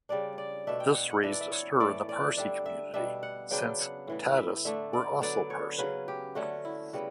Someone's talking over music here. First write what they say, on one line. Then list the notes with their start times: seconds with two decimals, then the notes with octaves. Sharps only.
This raised a stir in the Parsi community since the Tatas were also Parsi.
0.09 C#3 G3 D4 D5
0.38 D5
0.67 B2 A3 D4 E5
0.80 G5
0.95 F#5
1.09 F#5
1.23 E3 B3 D4 E5
1.32 D5
1.41 E5
1.52 C#5
1.80 A2 E3 A3 D5
2.09 D5
2.37 D3 G3 D4 E5
2.66 E5
2.94 B2 G3 D4 E5
3.23 F#5
3.51 C#3 F#3 B3 D4 G5
3.80 F#5
4.07 A2 E3 B3
4.37 E5
4.65 D3 A3 D4 E5
4.93 D5
5.22 D3 F#3 B3 D4 D5
5.50 C#5
5.78 C#3 F#3 C#4 B4
6.08 G4
6.35 D3 A3 C#4 F#4
6.65 E4
6.93 C#3 G3 B3 F#4